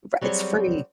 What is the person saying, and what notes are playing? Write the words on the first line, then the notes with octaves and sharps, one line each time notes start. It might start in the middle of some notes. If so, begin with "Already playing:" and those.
Right, it's free.
F#3 G3 C4 G#4 C#5